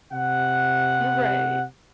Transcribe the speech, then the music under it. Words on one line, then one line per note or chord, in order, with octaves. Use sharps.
You're right.
C3 F#5